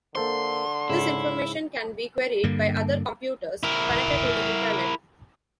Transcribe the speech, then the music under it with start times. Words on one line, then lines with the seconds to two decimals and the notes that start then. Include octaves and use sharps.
This information can be queried by other computers connected to the Internet.
0.15 D3 A#3 A4 C5 C6
0.90 G#2 C#3 E4
2.43 G2 D3 A#3
3.63 E4 A#4